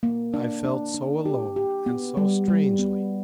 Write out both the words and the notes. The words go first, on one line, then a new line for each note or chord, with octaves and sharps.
I felt so alone and so strangely.
A#3
D4
D4
D4
G4
G4
B3
G3
G3
B3